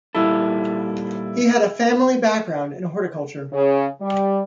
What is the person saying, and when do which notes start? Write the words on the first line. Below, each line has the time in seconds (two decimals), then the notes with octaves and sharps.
He had a family background in horticulture.
0.15 A#2 G3 E4 A4
3.52 C#3
4.01 G3